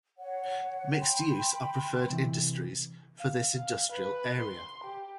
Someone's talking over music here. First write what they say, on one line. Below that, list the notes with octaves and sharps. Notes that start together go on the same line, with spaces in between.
Mixed Use are preferred industries for this industrial area.
C#5 F#5
G5 B5 C6
C3 E3
F5
F5
B4
C6
G4